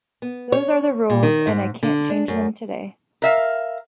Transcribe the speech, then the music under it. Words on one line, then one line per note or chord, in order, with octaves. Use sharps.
Those are the rules and I can't change them today.
B3
C#5
A#2
D#3
G#2
D3
D4
F#2
A#4 E5 F5